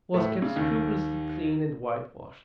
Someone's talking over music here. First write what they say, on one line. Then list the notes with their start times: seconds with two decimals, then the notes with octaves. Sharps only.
It was kept scrupulously clean and whitewashed.
0.14 A2 A3
0.42 C#3
0.56 D#2 D#3